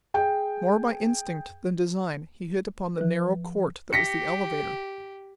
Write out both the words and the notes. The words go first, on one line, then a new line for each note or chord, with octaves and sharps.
More by instinct than design he hit upon the narrow court that was the elevator.
G#4 G5
F3 B4
G4 A#6 B6 C#7